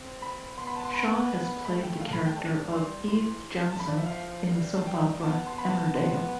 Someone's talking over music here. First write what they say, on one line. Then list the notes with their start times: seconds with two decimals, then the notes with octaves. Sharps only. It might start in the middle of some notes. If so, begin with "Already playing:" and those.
Shaw has played the character of Eve Jenson in the soap opera "Emmerdale".
Already playing: C4
0.22 B5
0.58 B3 C6
0.67 B5
0.76 A5
0.84 C6
0.94 B5
1.65 A3 B5
1.83 G5
2.01 F5
2.08 A5
2.13 B5
2.25 G5
2.36 G3 A5
2.73 C6
3.08 E3 C6
3.72 A5
3.79 F3 B5
3.88 D5
3.98 E5
4.06 F5
4.52 G3
4.75 A5
4.87 G5
5.23 B3 A5
5.35 A5
5.46 C6
5.58 B3 B5
5.71 A5
5.82 A5
5.94 C6